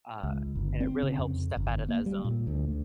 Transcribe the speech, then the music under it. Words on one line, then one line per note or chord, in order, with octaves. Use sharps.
Uh, and it really helps step out of that zone.
C#2
G1
C4
C#3
F2
G1
A#3
G3
A#2
D2
D2